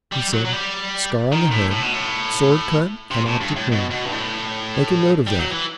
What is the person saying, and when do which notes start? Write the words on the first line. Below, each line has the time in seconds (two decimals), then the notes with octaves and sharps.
He said, "Scar on the head,--sword-cut and optic nerve." Make a note of that.
0.12 G3
0.33 F#3
0.45 F#3
0.52 G3
1.33 D#3
1.52 A2
1.72 A2
1.83 B2
1.94 A2
3.11 C3
3.26 A2
3.41 G2
3.56 A2
3.72 B2
3.91 B2
4.05 G2
4.12 A2
5.27 G3
5.39 F#3
5.51 E3